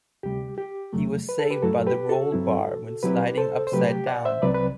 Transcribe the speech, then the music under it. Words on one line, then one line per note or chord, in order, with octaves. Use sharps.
He was saved by the roll bar when sliding upside down.
D2 C3 G3 G4
G4
E2 C3 F#3 A3
B4
A4
G4 B4
G2 F#3 A3 E4 F#4 A4
G4 B4
F#4 A4
G2 F#3 C4 E4
B2 F#3 C4 E4 G4 B4
A4 C5
C5
C3 F#3 A3 G4 B4
G4
D5 F#5
C5 E5
C2 C3 F#3 C4 B4 D5
B4